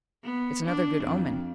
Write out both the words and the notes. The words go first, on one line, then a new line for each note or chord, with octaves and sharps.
It's another good omen.
B3
D4
F2